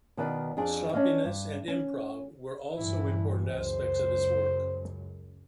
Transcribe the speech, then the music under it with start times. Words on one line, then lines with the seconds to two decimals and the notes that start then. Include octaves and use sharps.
Sloppiness and improv were also important aspects of his work.
0.17 B2 D#3 B4 D5 F5
0.57 F2 C4 D4 G#4
0.94 C#4 D4 D#5 F5
1.25 G2
1.68 C#4
2.76 G2 A#2 E3 E4
3.52 C#2 F#2 C5